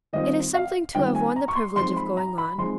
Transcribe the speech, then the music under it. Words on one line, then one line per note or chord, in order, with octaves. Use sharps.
It is something to have won the privilege of going on.
D#3 G3 C4 F4 D#5
F5
D#3 G3 C4 F4 G5
G#5
A#5
C#6
C6
F3 G#3 C4 D#4 C6
B5
A#5
B5
F3 G#3 C4 D#4 C6